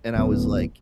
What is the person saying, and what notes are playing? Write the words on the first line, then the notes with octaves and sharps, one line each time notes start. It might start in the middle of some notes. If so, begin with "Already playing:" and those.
And I was like
D1 F#2 A2 B3